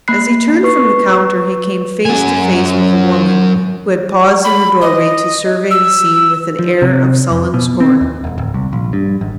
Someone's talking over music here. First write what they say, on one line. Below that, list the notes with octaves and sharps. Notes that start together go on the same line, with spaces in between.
As he turned from the counter, he came face to face with a woman who had paused in the doorway to survey the scene with an air of sullen scorn.
A#3 B5 F#6 C7
B4 C#6 C7
F#2 G#5
B5
D#5
E6
F3
C3
F2
B2
C4
D#2
E1
D1
C2
A#1
G2
G#1